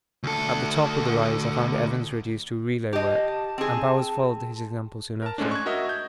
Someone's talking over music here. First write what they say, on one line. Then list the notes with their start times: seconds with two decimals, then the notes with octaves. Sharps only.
At the top of the rise I found Evans reduced to relay work, and Bowers followed his example soon after.
0.23 D2 A4
2.93 G4 D#5 A5
3.58 C4 G#4
5.22 A#4 A5
5.38 G#2 G#3 A3 C#4 D4
5.51 C#6 F#6 G#6
5.66 F#4 A#4 D#5 E5
5.89 G6